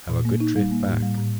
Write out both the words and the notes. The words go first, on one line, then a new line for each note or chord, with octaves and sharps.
Have a good trip back.
A#2
A#3
D#4
G3
A#3
A2
G3
A2